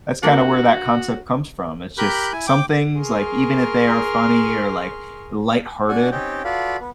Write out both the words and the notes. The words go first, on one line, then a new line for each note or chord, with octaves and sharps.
that's kinda where that concept comes from. It's just some things, like even if they are funny or, like, lighthearted,
A#3 D4 F#4
G4 A#4 B5 F#6 G6
E4 G#5
G5 D6
G#4 A#4 C6 C#6 F6
D4 F#4 F#5 G#5
C4 C#4 D#4 G4 G5
F4 F#4 A4 B4 D5 F5
B3